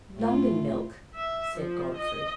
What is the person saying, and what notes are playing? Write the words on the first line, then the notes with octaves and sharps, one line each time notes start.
"London milk!" said Godfrey.
A2 A3 F4
E5
F3
D#5